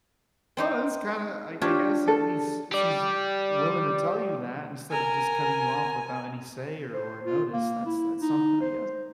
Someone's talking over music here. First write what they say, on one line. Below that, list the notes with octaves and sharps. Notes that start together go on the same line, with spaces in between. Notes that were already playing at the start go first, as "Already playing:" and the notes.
Well, it is kinda I I guess, at least, she's willing to tell you that, instead of just cutting you off without any say or or notice. That's that's something, I guess?
C4 D#4 C5
D4 F4 G4 C#5
A4
G4 D5
A#4 G#5
C5
F4
A#3
E4
D#4
C5